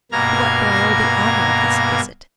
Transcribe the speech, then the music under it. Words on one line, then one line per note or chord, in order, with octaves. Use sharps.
"To what do I owe the honour of this visit?"
G2 B2 A#3 A#5 F6 G#6